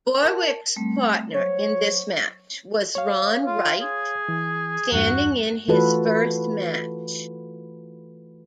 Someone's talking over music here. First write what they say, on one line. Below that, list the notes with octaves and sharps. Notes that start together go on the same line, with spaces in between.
Borwick's partner in this match was Ron Wright, standing in his first match.
A#4 A5
G3 A3 C4
F#3 C5 C#5 C#6
C#5 F5
F4
G#4
E3
E2 G2 F#4
E3 A3 F4 F#4 A4 B4